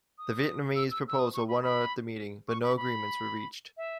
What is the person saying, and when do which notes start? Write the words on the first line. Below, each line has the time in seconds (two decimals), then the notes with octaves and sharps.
The Vietnamese proposal won out at the meeting, but no agreements were reached.
0.18 D#6
0.76 E6
0.91 E6
1.08 E6
1.19 D#6
1.34 C#6
1.48 B5
1.62 B5
2.48 C#6
2.63 B5
2.77 B5
3.77 E5